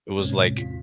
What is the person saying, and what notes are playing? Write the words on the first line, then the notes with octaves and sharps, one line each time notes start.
it was, like,
A2 C3 G#3 C4 C#4
E2 F4 B6